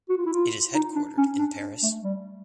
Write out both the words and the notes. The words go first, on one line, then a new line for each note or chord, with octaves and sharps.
It is headquartered in Paris.
F#4
F4
E4
F4
D#4
D4
C#4
D4
A3
G3